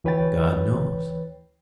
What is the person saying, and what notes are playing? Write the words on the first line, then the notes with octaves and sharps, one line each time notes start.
God knows!
D2 E3 B4 C#5 G5 A6